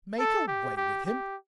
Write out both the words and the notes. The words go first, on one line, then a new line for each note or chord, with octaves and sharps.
Make away with him!
A4
G4
G4
G4